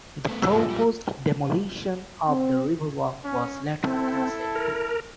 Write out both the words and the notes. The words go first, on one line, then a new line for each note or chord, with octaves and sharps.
The proposed demolition of the Riverwalk was later cancelled.
A3 B3
E1 D3 G#3 B3 E6
A#1 A#2
G3
C4
C#4
C4 E4 A4 A5
A#4